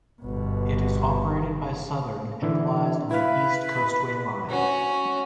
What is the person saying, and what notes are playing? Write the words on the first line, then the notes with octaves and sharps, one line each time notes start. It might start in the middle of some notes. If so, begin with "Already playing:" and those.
It is operated by Southern and lies on the East Coastway Line.
G1 B2
D3 E3
E4 B4 F5
C#4 F#4